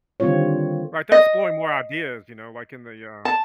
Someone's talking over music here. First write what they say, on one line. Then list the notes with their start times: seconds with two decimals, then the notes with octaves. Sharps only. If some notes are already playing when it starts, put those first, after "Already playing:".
Right, they're exploring more ideas, you know, like in the j uh
0.20 D3 D#3 G3 C4 F4 C#5
1.12 D#5
3.25 A5